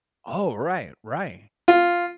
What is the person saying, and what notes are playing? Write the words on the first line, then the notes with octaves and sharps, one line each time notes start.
Oh, right, right.
F4